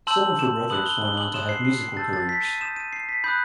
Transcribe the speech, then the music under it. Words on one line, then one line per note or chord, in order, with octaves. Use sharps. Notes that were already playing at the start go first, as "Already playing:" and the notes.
Some of her brothers went on to have musical careers.
A5 C6 E6 G6 F#7
E7
B5 D#6 F#6 F#7
G7
G7
F#7
C6 D#6 F#6 E7
C7
C7
C7
A5 E6 G6 A6
A6
B6
D#7
C6 D#6 G6 E7
D#7
C7
B6
B5 D#6 F#6 G6